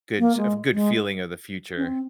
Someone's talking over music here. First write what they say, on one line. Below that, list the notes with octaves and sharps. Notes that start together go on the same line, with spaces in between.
good ch a good feeling of the future.
A#3
G#3
G#3
C#4
C4